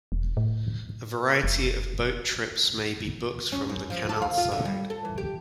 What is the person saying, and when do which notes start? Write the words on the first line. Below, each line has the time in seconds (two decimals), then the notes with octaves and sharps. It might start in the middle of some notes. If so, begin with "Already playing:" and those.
A variety of boat trips may be booked from the canalside.
0.12 E1
0.37 A2
1.44 F1
3.52 C#4
3.69 F#2
3.90 F3
4.09 A4
4.22 F5
4.38 F4
4.52 D3
4.65 G3
4.90 A4
5.05 E3
5.18 G4